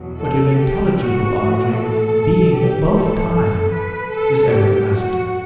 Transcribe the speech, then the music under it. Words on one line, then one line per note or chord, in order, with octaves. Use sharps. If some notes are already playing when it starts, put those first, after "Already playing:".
But an intelligible object, being above time, is everlasting.
Already playing: E2 B2 F#3
A4
G4
F#4
A2 E3
A4
G4
G2 E3 A4
A4
B4
A4
F#2 F#3 G4
F#4